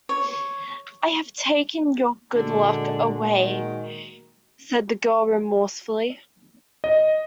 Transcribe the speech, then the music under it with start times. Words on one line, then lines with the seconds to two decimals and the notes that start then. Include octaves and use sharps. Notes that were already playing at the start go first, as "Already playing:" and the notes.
"I have taken your good luck away," said the girl remorsefully.
0.09 C#5
2.35 A#2 D3 G#3 F#4
3.38 D#3
6.84 D#5